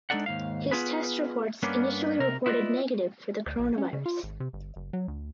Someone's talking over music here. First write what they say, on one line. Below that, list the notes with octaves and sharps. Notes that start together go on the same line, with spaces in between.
His test reports initially reported negative for the coronavirus.
G#3 D4 D#4 A4 D5 F#5
D#2 G#2 F5
B3 F4 G#4 B4
G2 A#3 B3 C#4 D4
C3 A#4
E4 F4 B4 C5 D5 D#5
D2
A#1
C#4
C#3
F4
G#1
C3
G1
F#1
F#3
D2